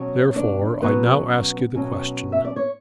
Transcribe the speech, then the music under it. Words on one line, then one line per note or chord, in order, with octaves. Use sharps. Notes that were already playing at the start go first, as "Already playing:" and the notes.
Therefore I now ask you the question.
Already playing: B2 F#3 C#4 C#5
D4 D5
B2 F#3 B3 C#4 B4
B2 F#3 C#4
E5
D5
C#5